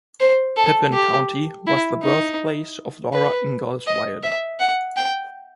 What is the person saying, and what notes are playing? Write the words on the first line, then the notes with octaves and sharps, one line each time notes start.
Pepin County was the birthplace of Laura Ingalls Wilder.
C5
A4
G4
E4
D#4
B4
D#5
E5
F#5
G5